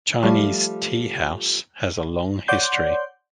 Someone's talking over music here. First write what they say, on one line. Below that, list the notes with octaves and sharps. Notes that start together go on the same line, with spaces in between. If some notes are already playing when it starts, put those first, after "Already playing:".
Chinese tea house has a long history.
F3 G3 A3
C#5 D5 F#5 C6 G6